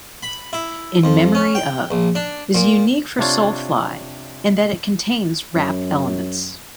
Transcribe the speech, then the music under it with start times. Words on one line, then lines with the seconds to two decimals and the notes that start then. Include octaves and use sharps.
"In Memory of..." is unique for Soulfly in that it contains rap elements.
0.23 B5
0.53 E4
1.04 F2
1.35 C#4
1.55 G5
1.91 A#1
2.15 D4
2.55 A#2
3.19 C3 C4 D4 F4 C#5
5.55 F#2